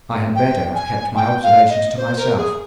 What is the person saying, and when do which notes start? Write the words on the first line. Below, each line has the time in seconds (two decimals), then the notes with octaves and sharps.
I had better have kept my observations to myself.
0.35 G5
0.75 G#5
1.16 G5
1.43 F5
1.69 D#5
1.97 C5
2.17 A#4
2.37 G#4